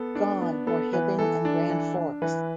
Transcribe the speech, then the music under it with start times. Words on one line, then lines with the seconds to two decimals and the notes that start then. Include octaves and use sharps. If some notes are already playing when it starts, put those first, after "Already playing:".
Gone were Hibbing and Grand Forks.
Already playing: B3 A4
0.15 D4
0.41 B3
0.67 B3 A4
0.93 E3 B4
1.19 E3 A4
1.45 D4
1.70 E3
1.96 D4
2.22 E3 B4